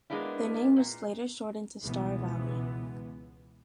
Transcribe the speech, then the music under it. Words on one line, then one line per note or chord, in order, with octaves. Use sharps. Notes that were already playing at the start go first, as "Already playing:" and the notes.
The name was later shortened to Star Valley.
G#3 A#3 B3 D4 E4
A#2
C#2 B2 E3 G#3 B3